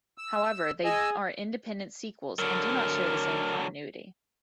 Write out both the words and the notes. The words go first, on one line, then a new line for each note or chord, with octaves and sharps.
However, they are independent sequels and do not share the same continuity.
E6
G#4 D#5 G#5 E6
D3 F#3 A#4